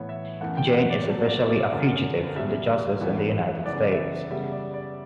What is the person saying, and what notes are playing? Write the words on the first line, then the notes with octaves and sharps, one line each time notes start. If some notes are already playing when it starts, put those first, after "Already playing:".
Jain is officially a fugitive from justice in the United States.
Already playing: A2 E3 B3 C#5
E5
F#2 E3 A3 F#5
G5
F#5
D5
C#5
B2 F#3 A3 D5
D5
E5
D5
F#2 D3 F#3
E2 B2 G3 E5
G2 E3 B3
F#2 C#3 E3 B3 D5
E5
D5
C#3 G3 B3 E5
D5
D5